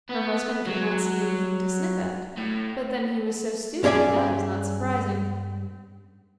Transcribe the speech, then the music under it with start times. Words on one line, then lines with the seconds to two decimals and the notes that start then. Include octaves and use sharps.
Her husband could not see anything to snip at; but then he was so stupid that was not surprising!
0.10 B3
0.66 F#3
2.38 A2
3.83 G2 C#4 G#4 D5 E5 G#5